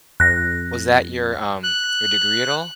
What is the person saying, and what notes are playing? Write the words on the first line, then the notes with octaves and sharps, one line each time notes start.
was that your, um, your degree at all
F2 F#6 A#6
F#6